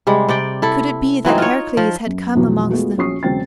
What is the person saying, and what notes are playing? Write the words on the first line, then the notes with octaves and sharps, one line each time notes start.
Could it be that Heracles had come amongst them?
C3 G3 G#3
C3 G4 D5 G5
E4 A4
E3 F#3 C4 D#4
F4 C#5
F3
F#2
B1 F2 B2 E3 F#3
G#3 A3 B3 F4 F#4
A#1 C#4 F#4 C#6 D#6 C7
E1 C#3 F#3 C4 G5 A6